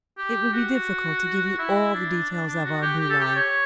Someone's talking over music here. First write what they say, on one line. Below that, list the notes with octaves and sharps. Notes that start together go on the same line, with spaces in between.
It would be difficult to give you all the details of our new life.
G4
F#4
E4
D4
D4
D4
F#4
G4
G4
A4
G4
C#5